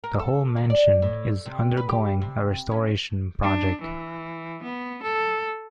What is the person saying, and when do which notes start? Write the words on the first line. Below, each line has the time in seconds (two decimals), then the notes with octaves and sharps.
The whole mansion is undergoing a restoration project.
0.04 A#4
0.19 A4
0.56 D#3
0.70 D5
1.02 A2
1.46 C3
1.77 B4
1.89 G4
2.21 C3
2.71 C#4
3.42 D4
3.81 E3
4.63 B3
5.03 A4